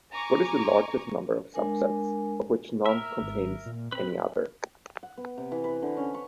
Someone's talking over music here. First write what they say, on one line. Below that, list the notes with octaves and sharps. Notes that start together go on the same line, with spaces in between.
What is the largest number of subsets of which none contains any other?
G#5 A#5 C#6 D6
G#3 D4 A#4 G#5
A#4 E5
G#1
A#2
C4 B4 B5
F#5
B3
C3
E3
B4
D3
C#4
C#6